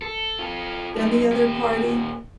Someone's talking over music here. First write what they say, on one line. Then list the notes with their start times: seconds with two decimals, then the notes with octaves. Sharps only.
than the other party,
0.02 A4
0.39 F4 A4
0.97 F#2 D#4
1.32 A#2 G4